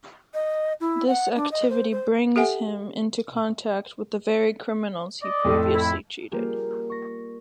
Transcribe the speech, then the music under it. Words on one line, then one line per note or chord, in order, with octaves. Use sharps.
This activity brings him into contact with the very criminals he previously cheated.
D#5
E4
F#5
D4
D#5
C5
C5
G4 A4 E5 F#5 G#5
D5 D#5
F2 A2 A4
E4
G3 A#3 F4 G4 G#4
C#6 A#6